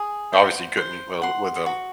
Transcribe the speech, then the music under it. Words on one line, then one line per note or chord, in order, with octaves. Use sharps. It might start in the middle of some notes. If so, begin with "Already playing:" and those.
obviously couldn't, well, with, um,
Already playing: G#4
C5 F#5
C5
F#5 C6
F#4